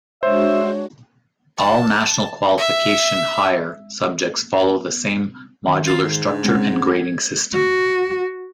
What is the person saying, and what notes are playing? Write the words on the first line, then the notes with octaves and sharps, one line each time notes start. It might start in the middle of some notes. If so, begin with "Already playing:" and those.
All National Qualification Higher subjects follow the same modular structure and grading system.
G#3 D4 F#4 C5 C#5 E5
A5
E5
D#3
F4 C7
G#2
D4
G#3 C4 C#4 F#5
G#6
F#4